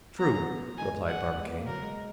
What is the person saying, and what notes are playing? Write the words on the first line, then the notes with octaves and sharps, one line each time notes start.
"True," replied Barbicane.
B3 A#5
C#4
B3
G#3 G#5
F#5
G#3
B3
A#3
F#3 A#4
G#3